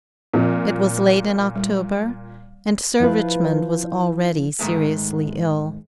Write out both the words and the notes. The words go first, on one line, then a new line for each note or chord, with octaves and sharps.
It was late in October and Sir Richmond was already seriously ill.
A#2 F3 C4 F4
G3
F3 E4 F4 B4
G#2 D#3 G#3 A3